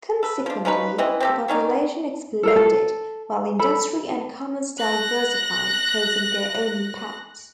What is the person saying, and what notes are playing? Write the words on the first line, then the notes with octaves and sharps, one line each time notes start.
Consequently, the population exploded, while industry and commerce diversified, causing their own impacts.
A4 B4
F3 D4
F3 C#4 D#4 B4
E3 C4 B4 D#5
C4 G4 A4
D#3 C#4 D#4 D5
A4 A#4 F5
A4
A4 B5
F#6 A#6